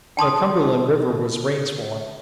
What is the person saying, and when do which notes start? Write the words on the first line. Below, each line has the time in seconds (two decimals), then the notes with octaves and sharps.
The Cumberland River was rain-swollen.
0.17 G5 A5 C6 D#6